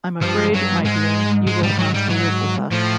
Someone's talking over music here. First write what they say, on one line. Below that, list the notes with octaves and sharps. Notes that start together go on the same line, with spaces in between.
I'm afraid, my dear, you will have to live with us.
G2 F3
F#3
G#2 G#3
G#3
G3
F#3
G3
F#3
A2 F3